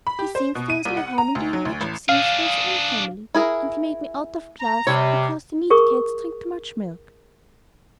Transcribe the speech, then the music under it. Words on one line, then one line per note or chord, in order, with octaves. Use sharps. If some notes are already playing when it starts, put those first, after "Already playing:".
He thinks there's no harm in doing magic things for his own family, and he made me out of glass because the meat cats drink too much milk.
B5
G4
C5
B2
D#7
C2
F#5
A#5
D2
F#3
D2
A1
D4 G#4 F5
E4 G#4 A#4
A#5
C3 G3 C4 C#5
G#4 A#4 C#6 D#6